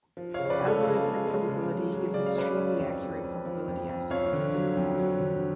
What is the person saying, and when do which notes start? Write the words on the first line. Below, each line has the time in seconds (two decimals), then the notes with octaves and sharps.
Algorithmic Probability gives extremely accurate probability estimates.
0.17 F3
0.34 C#5 F5
0.39 C#3
0.45 C#5
0.50 B4 D5
0.61 C#3
0.66 A4 C#5
0.83 C#3
1.05 G#3
1.27 G#3
1.49 C#3
1.70 F#3
1.92 F#3
2.14 C#3 D5
2.26 F5
2.36 C#4 B4 D5
2.58 C#4
2.79 F2
3.02 F2
3.24 F2
3.45 F3
3.68 F2
3.89 F2
4.10 F2 C#5 F5
4.33 D3
4.55 F#3
4.77 F2
4.98 F#3
5.20 D3